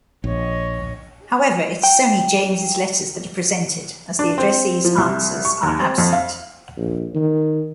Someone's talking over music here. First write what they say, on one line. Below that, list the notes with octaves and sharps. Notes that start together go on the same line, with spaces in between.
However, it's only James' letters that are presented, as the addressee's answers are absent.
A#1 C#5 D#5
G5
D4
C4
F3
C2
C#6
D#2
C4
F2
F5
A#1
D#3